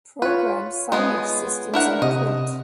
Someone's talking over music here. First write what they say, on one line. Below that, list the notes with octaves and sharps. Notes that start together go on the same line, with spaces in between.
Programs, signage systems and print.
F4 B4 C#5
G#3 B3 G#4
D4 E4 A#4 F#5
C3 D#5